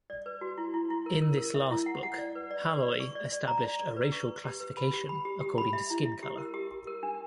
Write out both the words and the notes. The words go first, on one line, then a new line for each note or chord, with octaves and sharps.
In this last book, Halloy established a racial classification according to skin colour.
D5
B4
F#4
E4
E4
E4
A#4
A#4
A#4
E5
E4
F#5
F#5
D5
B4
D5
B4
D5
C#6
D5
D5
A#5
D5
D5
B4
C#6
B4
G4
B4
B5
G4
B5
G4
G4
B5
E5
E4
E5
G4
A#4
G4
G4
A#4
D4